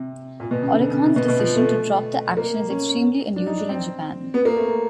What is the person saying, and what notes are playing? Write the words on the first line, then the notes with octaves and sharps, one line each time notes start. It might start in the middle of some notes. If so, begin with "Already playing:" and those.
Oricon's decision to drop the action is extremely unusual in Japan.
Already playing: C3
A#2
B2
C#3
D3
C#3
C3
B2
B2
F3
A3
A#3
C#4
D4
D#4
D4
C4
B3
A#3
A3